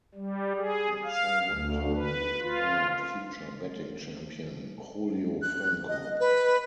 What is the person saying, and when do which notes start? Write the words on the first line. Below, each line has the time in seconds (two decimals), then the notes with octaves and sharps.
That same winter he acquired future batting champion Julio Franco.
0.14 G3
0.57 G#4
1.05 F5
1.51 D2
1.95 B4
2.41 F4
5.42 F#6
5.88 D#5
6.20 B4